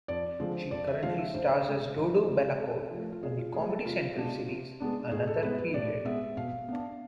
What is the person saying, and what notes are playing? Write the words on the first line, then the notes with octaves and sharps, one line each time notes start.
She currently stars as Dodo Bellacourt on the Comedy Central series "Another Period".
F2 D5
D3 F3 G#3 C4 C5
F2 D5
E5
D3 F3 G#3 C4 F5
E5
D2 C5
C3 G#3 C4
D2
C3 G#3 C4
C3 A4
F3 A3
F4
C3 G#4
F4
F3 A3 G#4
A4
C3 F4
G#3 B3 D4
C3
G#3 B3 D4
A2 G#4
A4
G#3 B3 B4
B4
A2 D5
G#3 B3 E5
B2 F5
B3 D4